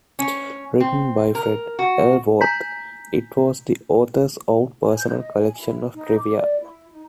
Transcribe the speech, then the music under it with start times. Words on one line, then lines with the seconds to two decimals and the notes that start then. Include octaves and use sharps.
Written by Fred L. Worth, it was the author's own personal collection of trivia.
0.19 C#4
0.80 C4
1.35 A#4
1.79 F#4
2.41 G#5 A#5 G6 B6
4.82 G#5
4.98 G6
5.12 D#5
5.36 G#5
5.57 E4
5.95 D#4
6.18 D6
6.35 D5
6.61 E4
6.92 D#4